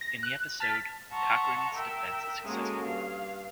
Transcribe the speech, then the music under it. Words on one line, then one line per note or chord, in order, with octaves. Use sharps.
In the episode, Cochran's defense is successful.
A#6
F#6
A5 F6 A6 B6
E5 F#5 A5 A#5 C6 C#6
A#4 E5 G5 E6
G#3 A#3 C#4 F#4 A4 A#4
G2 F5